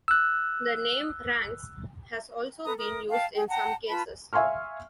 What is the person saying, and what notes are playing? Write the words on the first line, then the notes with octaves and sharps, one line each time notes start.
The name "Ranx" has also been used in some cases.
E6 F#6
A4 B4 A#5 D#6
A#4 D#6
F5 G5 A5
G#4 G5
F#5 G5 A5 A#5
F4 B4 A5 B5
E5 F5 G#5 C6 C#6 F6